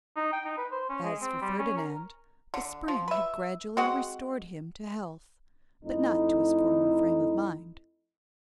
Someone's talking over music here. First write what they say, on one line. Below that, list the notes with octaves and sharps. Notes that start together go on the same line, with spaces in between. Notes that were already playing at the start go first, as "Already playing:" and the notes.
As for Ferdinand, the spring had gradually restored him to health, but not to his former frame of mind.
D#4
G5
D#4
B4
C5
C#4
G#3
C4
G3
C#4
A#4
D3
F3
B4 E5
G#3 C4 F#4 F#5
F2 A3 D#4 E4